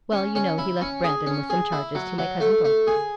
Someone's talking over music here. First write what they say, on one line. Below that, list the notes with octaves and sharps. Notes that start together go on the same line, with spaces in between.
Well, you know he left Brandon with some charges to my Cousin Dorcas.
C#4
C#4
E4
C#4
G#4
C#4
G#4
E4
F#3
F#3
A3
A3
G#4